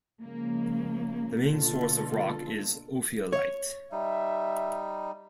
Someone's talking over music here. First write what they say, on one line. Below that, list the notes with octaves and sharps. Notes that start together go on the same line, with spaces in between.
The main source of rock is ophiolite.
C#3 F3 G#3 A#3
B2 D3 A#3 F4 A4
C#5
G3 D#4 E5